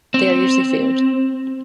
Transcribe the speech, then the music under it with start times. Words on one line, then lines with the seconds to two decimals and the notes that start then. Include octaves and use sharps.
They are usually feared.
0.14 C4